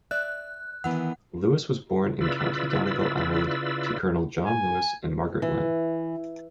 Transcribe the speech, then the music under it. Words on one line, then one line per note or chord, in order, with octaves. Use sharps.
Lewis was born in County Donegal, Ireland, to Colonel John Lewis and Margaret Lynn.
D5 E5 F#6
D#3 E3 B3 F#5
C#3 E4 F4 B4 D5 E6
G#5
E3